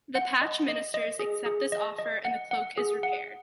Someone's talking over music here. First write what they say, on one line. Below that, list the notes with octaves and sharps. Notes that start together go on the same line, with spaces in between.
The Patch ministers accept this offer and the cloak is repaired.
F#5
D#5
D#5
D#5
G#4
G#4
D#5
D#5
F#5
F#5
G#4
F#5